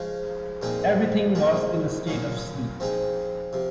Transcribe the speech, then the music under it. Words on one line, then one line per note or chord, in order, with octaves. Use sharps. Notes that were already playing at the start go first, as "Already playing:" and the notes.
Everything was in a state of sleep.
Already playing: C#3 F3 G#3
A#2 F3 C4 D#4 G#4
F3 A#3 F4 G#4
A#2 F#3 C#4 F4
F3 C4 D#4 G#4
C3 F3